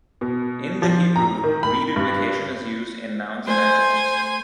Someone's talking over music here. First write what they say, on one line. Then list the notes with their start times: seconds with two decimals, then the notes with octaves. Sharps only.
In the Hebrew, reduplication is used in nouns and adjectives.
0.21 B2
0.82 F3
1.16 A#5
1.44 D#3
1.63 B5
1.96 G2
3.47 A3 C5 G#5